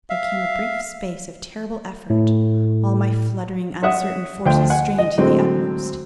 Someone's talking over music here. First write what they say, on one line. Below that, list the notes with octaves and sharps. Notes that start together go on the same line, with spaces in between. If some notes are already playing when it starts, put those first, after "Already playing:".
There came a brief space of terrible effort, all my fluttering, uncertain forces strained to the utmost.
E5 F5
A2
C#5 E5 F#5 D#6
D2 F3 G5
F#5 G#5
D#5
A2 D3 F#3 G#3 C4